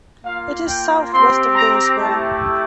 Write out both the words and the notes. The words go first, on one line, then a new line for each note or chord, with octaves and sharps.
It is southwest of Gainesville.
A#3 F4 F5
G5
C4 G4 C6
A#5
A3 E4 G4 A5